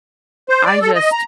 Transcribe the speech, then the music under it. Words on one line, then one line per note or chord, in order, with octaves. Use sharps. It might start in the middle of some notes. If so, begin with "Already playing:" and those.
I just
C5
D5
A4
D#5
A#5